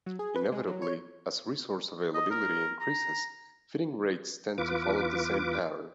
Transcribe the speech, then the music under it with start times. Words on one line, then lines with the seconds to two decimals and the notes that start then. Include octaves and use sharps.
Inevitably, as resource availability increases, feeding rates tend to follow the same pattern.
0.06 F#3
0.19 G#4
0.36 B4
0.52 G#3
0.67 F#3
0.82 C#5
2.14 D#5
2.31 A#4
2.81 A#5
4.58 E2 F4 B4 D6